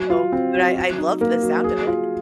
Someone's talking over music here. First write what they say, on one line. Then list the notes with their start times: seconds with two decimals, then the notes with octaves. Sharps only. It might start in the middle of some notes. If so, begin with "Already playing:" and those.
No, but I I love the sound of it.
Already playing: F#3
0.10 F4
0.32 C4
0.54 F#3
0.76 F#3
0.98 D#4
1.21 A#3
1.42 F#3
1.64 G#4
1.87 F4